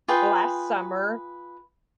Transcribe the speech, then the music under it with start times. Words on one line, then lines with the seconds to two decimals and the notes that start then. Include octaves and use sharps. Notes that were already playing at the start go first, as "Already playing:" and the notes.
last summer
0.08 F4 G#4 B4 G5